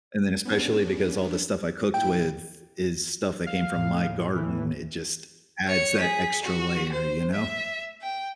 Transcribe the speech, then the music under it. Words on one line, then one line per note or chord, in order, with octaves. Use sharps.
And then especially because all the stuff I cooked with is stuff that came from my garden, it just adds that extra layer, you know?
B3 C#4 D4
A#2 E4 G5 D7
F5
A2
E3
C#5 C#7
G#4 B6
F#4
C5
E5
G5